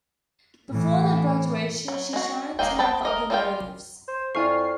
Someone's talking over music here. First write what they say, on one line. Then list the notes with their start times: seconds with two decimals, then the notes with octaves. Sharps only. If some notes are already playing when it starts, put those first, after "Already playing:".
Before the graduation, she's shown to have other motives.
0.69 A2 E3
1.88 F#3
2.13 G#3 F#4
2.59 G#3 A#3 F#4 D#5 G5
2.79 C4 G5 A5 B5
3.05 A#4 D#5
3.30 G3 G#3 F4 A#4 G5
4.08 C5
4.35 F2 E4 D5 G#5 C#6 F6 C7